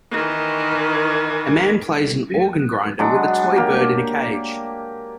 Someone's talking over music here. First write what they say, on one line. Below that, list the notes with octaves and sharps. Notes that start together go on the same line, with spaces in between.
A man plays an organ grinder with a toy bird in a cage.
D#3 E3
F#3 G#3 D4
A#3 G4